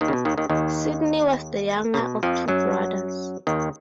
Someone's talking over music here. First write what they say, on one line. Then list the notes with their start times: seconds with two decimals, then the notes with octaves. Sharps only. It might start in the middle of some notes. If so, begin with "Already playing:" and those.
Sydney was the younger of two brothers.
0.01 D#2 D#3
0.08 C#3
0.13 B2
0.25 D#2 D#3
0.38 D#2 D#3
0.49 D#2 D#3
1.94 C#3
1.98 B2
2.23 F2 F3
2.48 F#2 F#3
3.47 D#2 D#3